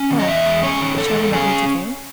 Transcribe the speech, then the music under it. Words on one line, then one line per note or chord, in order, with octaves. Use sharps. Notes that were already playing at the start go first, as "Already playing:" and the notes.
"Well, but shall we not meet again?"
Already playing: C#4
D#3
D#5
E2 E5
G#3
C#4 C#5
D#3
E2 A4
G#3
C#4 G#4